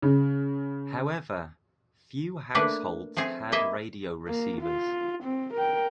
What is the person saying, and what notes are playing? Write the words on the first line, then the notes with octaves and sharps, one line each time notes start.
However, few households had radio receivers.
C#3
A3 A#3 D4 B4
F3 A3 C4 G#4
A#3 E4 D#5 E5
A#3
F4
C4
A#4 G5